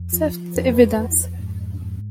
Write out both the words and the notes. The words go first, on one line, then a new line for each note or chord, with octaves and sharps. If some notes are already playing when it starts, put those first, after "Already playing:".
Sift the evidence.
Already playing: F2
F3
F2 B4
F2
G#2
G#2